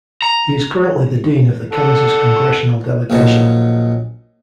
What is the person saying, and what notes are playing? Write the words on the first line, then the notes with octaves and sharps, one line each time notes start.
He is currently the dean of the Kansas congressional delegation.
A#5
A4 F#5
A#1 A#2 F#3 D#4